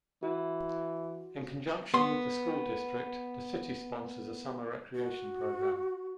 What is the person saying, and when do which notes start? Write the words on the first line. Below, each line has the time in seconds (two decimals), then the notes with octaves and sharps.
In conjunction with the school district, the city sponsors a summer recreation program.
0.23 E3 F#4
1.94 B3 C6
4.95 F#4